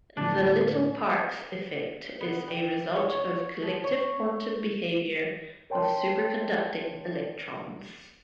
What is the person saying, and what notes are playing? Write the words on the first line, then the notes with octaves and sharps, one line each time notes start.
The Little-Parks effect is a result of collective quantum behavior of superconducting electrons.
A2 D3 B3 D4
B3
G5
C#5
C#5
F3
C#5
A#4 C#5 G5 A5 C6